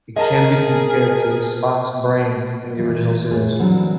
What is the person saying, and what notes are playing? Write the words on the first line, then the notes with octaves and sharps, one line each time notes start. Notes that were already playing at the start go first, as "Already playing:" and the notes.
It can be compared to "Spock's Brain" in The Original Series.
G#4 A#4 D#5 A5 A#5
E3 G3
A2 G#4
D3 E3 F#3 G3 C4 D4